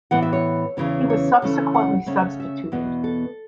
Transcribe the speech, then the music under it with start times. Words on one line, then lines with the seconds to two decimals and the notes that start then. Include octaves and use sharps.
He was subsequently substituted.
0.11 A2 E3 B3 F#5
0.22 E5
0.33 C#5
0.77 E2 C#3 E3 C#4
1.10 C#5
1.42 C#3 E3 A3 C#4
1.74 F#5
2.06 C#3 A3 C#4
2.40 E5
2.72 E2 B2 B3
3.04 A4